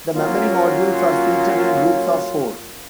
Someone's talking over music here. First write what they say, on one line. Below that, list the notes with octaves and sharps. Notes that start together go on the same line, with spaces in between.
The memory modules are seated in groups of four.
F#3 A#3 C#4 F4